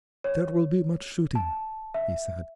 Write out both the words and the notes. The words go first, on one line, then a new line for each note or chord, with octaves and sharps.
"There will be much shooting," he said.
C#5
A5
E5